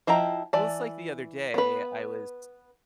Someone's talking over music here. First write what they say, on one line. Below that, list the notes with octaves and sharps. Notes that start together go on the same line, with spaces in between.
Well, it's like the other day, I was
F3 E4 D#5 G5 A#5
E3 D5 A5
B3 B4